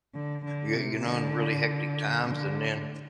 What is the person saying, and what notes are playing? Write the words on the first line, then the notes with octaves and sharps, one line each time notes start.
y you know, in really hectic times, and then
D3
D3
C3
D3
D3